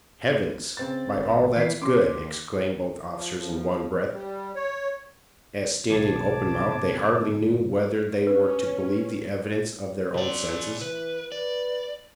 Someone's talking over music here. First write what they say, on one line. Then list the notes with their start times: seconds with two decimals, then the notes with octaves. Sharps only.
"Heavens!" "By all that's good!" exclaimed both officers in one breath, as, standing open-mouthed, they hardly knew whether they were to believe the evidence of their own senses.
0.77 C#3 C4 A6
1.17 G#1
1.56 E3 B6 C7
1.82 C#4 C6 D6
2.05 D#2
3.13 F3
3.38 F3
4.12 G3
4.56 C#5
5.90 B1 D#3 A5 D6 G#6
6.68 G1 C3 B3
8.27 C#4 B4
10.14 C3 D5
10.81 E3 B4
11.32 B4 D5